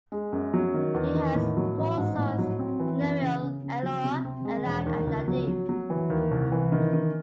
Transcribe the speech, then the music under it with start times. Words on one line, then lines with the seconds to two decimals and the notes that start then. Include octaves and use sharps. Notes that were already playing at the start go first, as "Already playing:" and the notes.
He has four sons, Nuriel, Elior, Ilan and Nadiv.
0.12 G#3
0.32 F#2
0.54 F#3
0.74 D#3
0.94 E2
1.15 D#3
1.35 A2
1.57 F#3
1.77 A1
1.97 G#2
2.18 A2
2.38 F#3
2.59 C4
2.79 E3
3.01 F#2
3.22 C#3
3.42 C#3
3.63 C#3
3.83 F#3
4.04 C3
4.25 C4
4.45 G#3
4.66 E1
4.86 D#2
5.07 C#2
5.28 F#3
5.48 F#3
5.69 F#3
5.90 E3
6.10 D#2
6.31 C2
6.52 E3
6.72 D#3
6.93 D#3